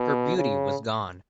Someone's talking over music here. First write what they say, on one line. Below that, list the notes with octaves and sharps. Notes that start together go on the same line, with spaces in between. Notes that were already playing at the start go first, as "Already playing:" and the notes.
Her beauty was gone.
Already playing: B2
C#3